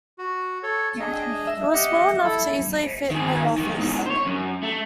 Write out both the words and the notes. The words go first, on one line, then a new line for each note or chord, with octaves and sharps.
It was small enough to easily fit in an office.
F#4
A4 C#5
D4 G#4 D#5
E5
G4 D#5 F#5
E4 A4
D#3 G#4
E2 D#3
E2 G#2
C5 C#5
F#2
A3